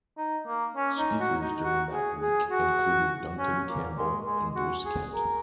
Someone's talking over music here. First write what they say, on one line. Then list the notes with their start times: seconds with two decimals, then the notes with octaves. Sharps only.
Speakers during that week included Duncan Campbell and Bruce Kent.
0.18 D#4
0.47 A#3
0.76 C#4
0.98 D#4
1.20 F#4
1.41 D#4
1.64 F#4
1.93 G#4
2.22 G#4
2.51 F#4
3.39 C#4
3.68 A#3
3.97 G#3
4.26 G#3
4.55 F#4
4.85 G#4
5.14 A#4